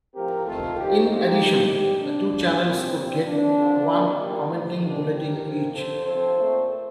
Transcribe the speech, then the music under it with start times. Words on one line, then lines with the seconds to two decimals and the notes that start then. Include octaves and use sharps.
In addition, the two channels would get one "commenting bulletin" each.
0.15 A2 F3 C4 G4 A#4
0.46 C3 D#3 A3 C4 F4 A4
0.78 A#2 F3 C4 D#4 G4
1.08 D3 F3 C4 D#4 G4
1.40 C3 G3 A#3
1.70 D3 G3 C4 D#4 G4
2.01 D#3 G3 A#3 D4
2.33 C3 G3 A#3
2.64 D3 G3 A#3 C4
2.95 A#2 G3 C4
3.26 A2 F3 A#3 D4
3.57 D3 F3 C4
3.88 C3 D#3 A#3
4.19 A#2 G3 A#3
4.50 A#2 F3 A3
4.82 D#3 G3 A#3 D4
5.12 C3 G3 C4 G4 A#4
5.44 D3 F3 C4
5.74 D3 F3 C4 A4 C5
6.05 C3 F3 C4 A4 C5
6.36 A#2 A3 C4